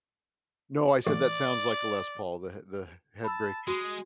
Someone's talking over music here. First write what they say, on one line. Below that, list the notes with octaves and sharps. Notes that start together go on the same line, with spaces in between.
No, I said that sounds like a Les Paul, the he the he the head breaking,
A1 D5
A5 B5 E6
G#3 F#4 D#6